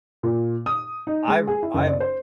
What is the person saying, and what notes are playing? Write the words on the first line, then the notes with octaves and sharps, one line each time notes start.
I ru I've
A#2
D#6
D#4
G#3
G#4
E4
F#1
D5
C5